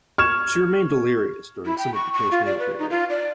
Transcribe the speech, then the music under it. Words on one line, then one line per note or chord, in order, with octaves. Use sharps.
She remained delirious during some of the postnatal period.
C#6 F6 G#6 E7
E4
G5
C#6
C#6
F4
D5
B4
D#4
F4
D5